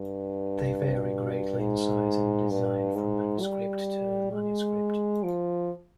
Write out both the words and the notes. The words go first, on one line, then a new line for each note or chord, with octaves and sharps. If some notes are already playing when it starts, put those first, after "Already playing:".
They vary greatly in size and design from manuscript to manuscript.
Already playing: G2
G#2
G2
G#2
G3
G#3
F3